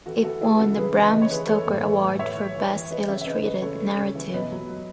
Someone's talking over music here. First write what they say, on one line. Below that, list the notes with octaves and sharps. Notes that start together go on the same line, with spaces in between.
It won the Bram Stoker Award for Best Illustrated Narrative.
E3 F#4 A4
E3 F#4 A4
E3 E4 G#4
B4
C#3 F#4 A4
E3 G#4 B4
C#3 B4 D#5
E3 B4 D#5
C#5
E3 G#4 B4
E3 A4 C#5
A2
E3
A2
E3 C#5 E5
E3
E3
E3
E3 B4 D#5
C#3 C#5 E5
E5
C#3 B4 D#5
E3 B4 D#5
C#3 A4 C#5
C#3
C#3
E3
B2 B4 D#5
F#3
F#3